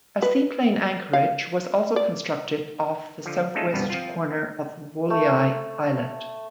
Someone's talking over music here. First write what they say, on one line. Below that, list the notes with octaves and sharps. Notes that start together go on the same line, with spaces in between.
A seaplane anchorage was also constructed off the south-west corner of Woleai Islet.
B4
F5
D5
D3 F3
G#3 A3 C#4 D#4 F4 A4
C2 G2 B2 F3 G3 B3
F3 C4 F4
A3